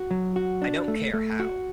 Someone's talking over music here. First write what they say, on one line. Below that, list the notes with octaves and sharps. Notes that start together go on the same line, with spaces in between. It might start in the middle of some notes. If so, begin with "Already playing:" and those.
I don't care how.
Already playing: F#4
F#3
F#4
D4
A3
A3
F#4